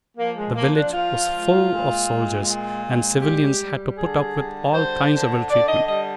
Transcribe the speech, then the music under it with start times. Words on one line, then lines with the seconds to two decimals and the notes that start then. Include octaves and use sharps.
The village was full of soldiers, and civilians had to put up with all kinds of ill-treatment.
0.17 F3 A#3
0.37 G#3
0.55 F3 A#3
0.75 D4
0.93 F3 F4
1.31 G#3
1.69 A#2
2.08 G#3
2.45 A#2
2.84 G#3
3.21 G3 G4
3.59 G3
3.97 D3 G#4
4.35 G3
4.74 D3 C5
5.12 D3
5.50 D3 D5
5.68 D#5
5.87 G3 D#5